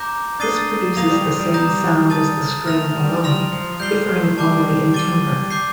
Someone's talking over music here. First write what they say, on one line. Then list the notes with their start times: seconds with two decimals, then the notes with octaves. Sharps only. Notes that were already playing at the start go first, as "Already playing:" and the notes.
This produces the same sound as the string alone, differing only in timbre.
Already playing: A#5 D6 G6 A#6
0.40 D4 D#6 A6 C7 D#7 G7
0.97 A#3 D#6 A#6 F7
1.10 G3
1.25 F3
1.39 G3
1.53 G3 A#5 D#6 G6 A#6
2.10 A5 D#6 A6
2.67 A3 F6 A#6 F7
2.95 G3
3.24 G3 C6 F6 A#6 F7
3.52 F3
3.80 G3 G6 C7 G7
4.09 A3
4.37 G3 A5 D6 G6
4.94 D6 A6 D#7 G7
5.50 D6 G6 C7